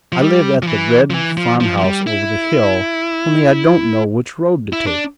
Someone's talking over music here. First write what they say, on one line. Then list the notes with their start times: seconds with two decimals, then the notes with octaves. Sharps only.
'I live at the red farm-house over the hill, only I don't know which road to take.'
0.12 F3
0.21 G3
0.63 F3
0.67 E3
1.10 F3
1.14 E3
1.37 F3
1.61 F3
1.78 F3
1.84 G3
2.07 E4
4.73 E4
4.87 D4